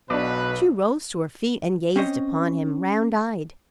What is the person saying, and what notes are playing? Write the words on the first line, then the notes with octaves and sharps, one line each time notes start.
She rose to her feet and gazed upon him, round-eyed.
B1 B2 D4 B4 D5
C4 C#4 C5 C#5 D#5